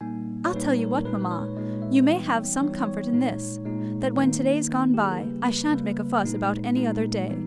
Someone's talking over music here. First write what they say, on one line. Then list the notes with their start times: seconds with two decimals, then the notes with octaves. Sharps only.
"I'll tell you what, mamma,--you may have some comfort in this: that when to-day's gone by, I shan't make a fuss about any other day."
0.01 A#2 G3 A#3 D#4 G#5
0.45 C#5
0.52 A#2 G3 A#3 D#4 B4
0.79 A#4
1.05 A#2 G#3 D#4 B4
1.31 C#5
1.57 A#2 G#3 D#4 D#5
1.82 E5
2.08 E3 G3 B3 D#4 G5
2.34 C#5
2.60 E3 G3 B3 D#4 C#5
2.86 C#5
3.13 A#2 G#3 D#4
3.65 A#2 G#3 D#4
4.16 D#3 A#3 D#4 B4
4.68 D#3 A#3 D#4
4.94 G4
5.02 G#4
5.11 A#4
5.20 C#3 G3 A#3 B4
5.46 B4
5.72 C#3 G3 A#3 B4
6.23 A#2 G#3 D#4
6.76 A#2 G#3 D#4
7.28 E3 G3 B3 D#4